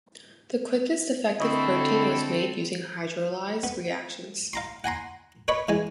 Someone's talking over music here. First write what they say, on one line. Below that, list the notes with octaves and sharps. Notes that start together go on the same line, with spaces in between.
The quickest effective protein was made using hydrolyzed reactions.
D3 C4 E4 A4 D#5 C#6
B3
F5 A#5 C6
F#5 G#5 A#5 C6
B4 C#5 D#5 B5 C#6
E3 G#3 G#5